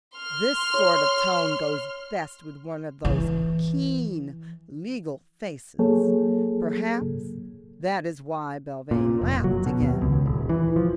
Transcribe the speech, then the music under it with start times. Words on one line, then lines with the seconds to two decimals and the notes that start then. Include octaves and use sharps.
This sort of tone goes best with one of those keen legal faces; perhaps that is why Belvane laughed again.
0.16 C6 F6
0.74 C#5
3.05 E3
5.79 F#3 A#3 G#4 A4 C#5
8.91 A#2
9.22 F1
9.44 F#3
9.66 B2
9.82 D#2
10.01 C#2
10.26 D#1
10.49 E3
10.76 F3